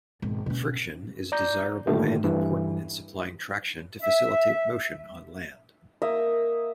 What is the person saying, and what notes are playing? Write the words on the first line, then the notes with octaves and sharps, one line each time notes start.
Friction is desirable and important in supplying traction to facilitate motion on land.
G#1 B2
B2 C#4
D5 A#5 G6
G2 A#2 D3 D#3 G3 A3
G2 E3
E5
A#3 D#5 E5